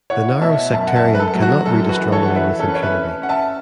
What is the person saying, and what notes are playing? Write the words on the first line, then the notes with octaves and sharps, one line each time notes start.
The narrow sectarian cannot read astronomy with impunity.
E4 C#5 F#5
B2 E5 A5
F#2 E5 A5
F#5
E5 A5
F#2
B4
A4
F#3
F#4
F#2 A4
F#4 B4
E3
A4 C#5
E3 F#5
B4 E5
C#4 A4 C#5
B4
C#5
B4 E5
C#4
C#4 F#5
E5 A5